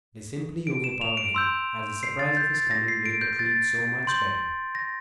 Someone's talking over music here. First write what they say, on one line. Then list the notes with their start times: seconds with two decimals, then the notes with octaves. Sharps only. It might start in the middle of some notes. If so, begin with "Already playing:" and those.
They simply overpowered him, as the surprise of his coming made the treat so much better.
0.67 D7
0.84 E7
1.01 F7
1.17 D7
1.35 C6 E6 G6
2.03 C7
2.19 A6
2.37 G6
2.55 A6
2.71 A#6
2.88 C7
3.06 D7
3.21 G6
3.39 A6
4.07 C6 G6
4.75 A#6